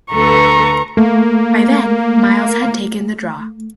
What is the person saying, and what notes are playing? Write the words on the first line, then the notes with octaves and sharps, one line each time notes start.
By then, Miles had taken the draw.
D2 A4 B4 A#5 C#6
A3 A#3